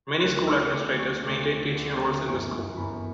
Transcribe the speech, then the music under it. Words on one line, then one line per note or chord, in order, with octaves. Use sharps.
Many school administrators maintain teaching roles in the school.
D2 D3 A3 F#6
E6
D2 D3 A3 D6
C#6
D2 D3 A3 D6
D2 D3 A3
G1 F#2 E3 C#6
C#6
G1 F#2 E3 B5